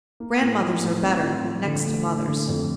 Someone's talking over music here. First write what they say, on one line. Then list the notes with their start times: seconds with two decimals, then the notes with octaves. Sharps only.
Grandmothers are better, next to mothers.
0.20 A#3
0.40 A2
0.61 F3
0.82 A2
1.02 C4
1.23 F4
1.44 F3
1.65 D3
1.86 A3
2.06 E4
2.27 D3
2.47 F2